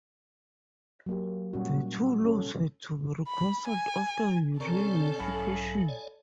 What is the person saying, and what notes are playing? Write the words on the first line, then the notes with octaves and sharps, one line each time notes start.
The two laws had to be reconciled after reunification.
F#3 A#3 G4
A#2 G3 C#4 F#4
C#4 A4
B5
G#5
C3 C4 C#4 A4 A#4 C#5 D5 C#6
B1 G#2 F#3 E4 G#4 F5
C#5 D5 G#5